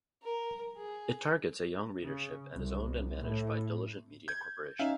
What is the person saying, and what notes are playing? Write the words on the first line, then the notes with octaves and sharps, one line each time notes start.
It targets a young readership and is owned and managed by Diligent Media Corporation.
A#4
G#4
C#3
C2
A2
G6 G#6
C#4 D#4 E5 F5